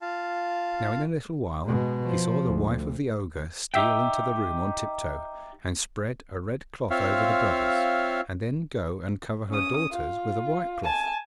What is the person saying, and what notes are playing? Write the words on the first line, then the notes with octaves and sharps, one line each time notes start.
Now in a little while he saw the wife of the ogre steal into the room on tiptoe and spread a red cloth over the brothers and then go and cover her daughters with a white cloth.
F4 F5 A5
B2 G#3
F3
D2
D#4 G4 E5 G5
C4 F4 C#5 E5 F5
C#4 D#6
F4
G#5 A5